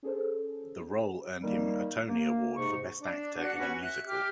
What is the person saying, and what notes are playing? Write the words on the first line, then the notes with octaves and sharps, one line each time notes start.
The role earned him a Tony Award for Best Actor in a Musical.
C#4 G#4 A4 C5
D#3 G3 A#3
A#3
G#2 C3 D#4 C#6
D4
D4 F#4 F#5 F#6
C#4 F#4 B4 G#6
E5 F#6
G4 D6 F6